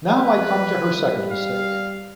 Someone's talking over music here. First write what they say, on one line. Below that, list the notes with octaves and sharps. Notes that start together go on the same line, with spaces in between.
Now I come to her second mistake.
B4
G3
F5